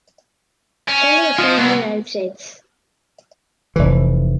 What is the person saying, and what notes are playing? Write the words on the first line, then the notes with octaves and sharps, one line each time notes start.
Taylor returned to the United States.
C#4
F3 F4 D#5
C2 B3
F1 E3